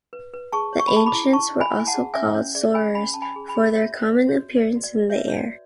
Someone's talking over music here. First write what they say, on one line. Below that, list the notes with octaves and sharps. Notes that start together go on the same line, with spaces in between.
The Ancients were also called "Soarers" for their common appearance in the air.
B4
B4
G#4 A5 C#6
C#5
C#6
B5
G#4 A5 C#6
B5 D6
E4
E4 A5 C#6
C#5
G#5 B5
E4
G#5
F#5 A5
G#4
C#4 E5 G#5
C#4 C#5
G#4 D5
G#4 G#5 B5
C#4 G#5 B5
C#4 A5
G#5 B5
G#4
G#5 B5
G#4
F#4 C#5 E5
B4
D5
F#4
C#5
F#4
B4 D5
F#4
D5
B4
C#5 E5
B4
C#5
F#4 D5